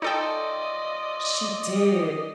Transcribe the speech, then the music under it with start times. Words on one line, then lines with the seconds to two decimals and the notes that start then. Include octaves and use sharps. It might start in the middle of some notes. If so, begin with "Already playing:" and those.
she did,
0.02 D#4 F4 A4 D5 D#5 G5